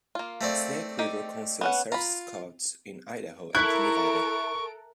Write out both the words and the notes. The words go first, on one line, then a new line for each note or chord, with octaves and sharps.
Snake River Council serves Scouts in Idaho and Nevada.
A#3 F4
A3 C4 D5
D#4 G4
B3 C#4 F#5
F4 A#5 B5
E4 A4 A#4 C#6 F#6 D7